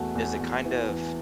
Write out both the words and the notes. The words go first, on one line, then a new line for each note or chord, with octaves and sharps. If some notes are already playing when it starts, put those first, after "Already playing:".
does it kind of
Already playing: E2 A3 F#4
E2
E2
E3
E3